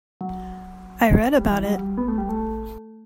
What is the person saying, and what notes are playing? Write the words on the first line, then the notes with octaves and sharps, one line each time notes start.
I read about it.
F#3
G3
E3
G3
F#3
G3
B3
A3
G3
A3